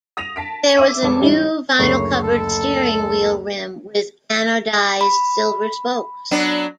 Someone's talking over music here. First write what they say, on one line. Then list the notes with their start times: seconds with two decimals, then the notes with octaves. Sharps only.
There was a new vinyl-covered steering wheel rim with anodised silver spokes.
0.17 D#6 A#6 D#7 F7
0.36 A5 B6 D7
0.77 E5 D6 E6 D#7
1.03 F1 G#3 C#5 A5 D6
1.20 G#2 E3 G3 C#4 D#4 E4
1.79 F#1 D2 C#5 C7
2.23 A4
5.01 B5
6.31 F#3 B3 D4